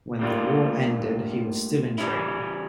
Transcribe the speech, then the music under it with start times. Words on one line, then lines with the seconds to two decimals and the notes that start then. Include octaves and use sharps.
When the war ended, he was still in training.
0.19 A2 G3 A#3 D4 F4
1.98 C#3 E3 G3 C#4 E4